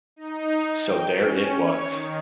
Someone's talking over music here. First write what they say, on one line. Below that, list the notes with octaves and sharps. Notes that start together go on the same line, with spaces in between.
So there it was.
D#4
G5
C#4
C#5
D#3